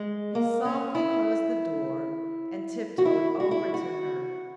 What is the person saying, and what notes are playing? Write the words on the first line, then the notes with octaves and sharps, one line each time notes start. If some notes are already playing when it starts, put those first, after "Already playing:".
He softly closed the door and tiptoed over to her.
Already playing: G#3
A#3
C#4
E4
F#4
E4
F#4
E4
F#4